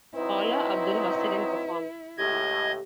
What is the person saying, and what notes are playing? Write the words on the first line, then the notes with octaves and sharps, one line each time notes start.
Paula Abdul hosted and performed.
F#3 C4 D#4 E4 B4
C#2 A2 G4 D#5 G#6